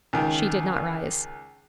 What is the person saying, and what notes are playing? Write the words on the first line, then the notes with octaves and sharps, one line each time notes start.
She did not rise.
C#2 D#3